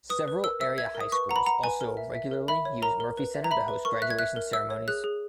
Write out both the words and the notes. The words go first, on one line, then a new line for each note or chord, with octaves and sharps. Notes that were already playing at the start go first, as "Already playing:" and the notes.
Several area high schools also regularly use Murphy Center to host graduation ceremonies.
B4 D#6
B4
A#4 E6
E5 E6
E5 G#6
A#4
D#6
B4 C#6
F#5 A#5
B5
F#5 A#5
B4 G#5
A#4
E5
E5
A#4
E5 B5
C#5
A#4 A#5
A#4
B4
E5
A#5
E5 B5
B4
A#4 C#6
E5 F#6
G#6
E5 F#6
A#4
E5 E6
C#5
G#4 F#6
G#4